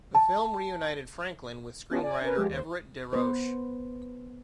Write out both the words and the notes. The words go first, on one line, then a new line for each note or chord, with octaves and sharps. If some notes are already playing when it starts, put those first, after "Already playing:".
The film reunited Franklin with screenwriter Everett De Roche.
A5
B3 C#4 F4 G4 D#5 A5
D5 G#5
C#4 A#4 B4
F3 G#3 G4
D#2 C5
B3 B4 C5